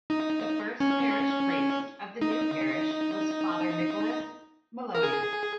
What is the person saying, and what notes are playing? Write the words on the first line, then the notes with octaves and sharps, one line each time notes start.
The first parish priest of the new parish was Father Nicholas Molony.
D#4
C#4
D#4
A#4
G#4